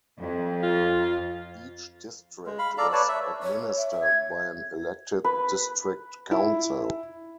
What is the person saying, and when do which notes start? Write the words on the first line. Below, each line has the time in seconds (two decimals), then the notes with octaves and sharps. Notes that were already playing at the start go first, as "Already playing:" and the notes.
Each district was administered by an elected district council.
0.19 F2
0.63 F4
2.46 G#3
2.59 F5 B5
2.78 A4 D5 F5 A#5
2.93 B4 C#5 D5 A5
3.09 E5
3.43 C#5
3.78 E5
3.90 E5
4.02 G#6
5.24 B4
6.31 E4